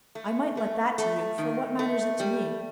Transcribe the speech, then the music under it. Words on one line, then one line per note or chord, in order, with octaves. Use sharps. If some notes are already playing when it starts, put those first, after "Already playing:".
I might let that to you, for what matters it to me?
A3
A3
A3
D#3
A3
G3